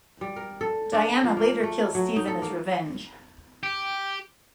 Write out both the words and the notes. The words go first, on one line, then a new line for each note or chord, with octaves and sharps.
Diana later kills Stephen as revenge.
G3
A#4
A4
D4
F3
A#3
A3
F#3
D#4
A4
A#3
G4